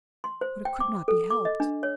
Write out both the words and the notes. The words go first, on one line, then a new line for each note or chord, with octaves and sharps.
But it could not be helped.
C6
C5
G5
D6
A4
D6
D#5
D4
C#5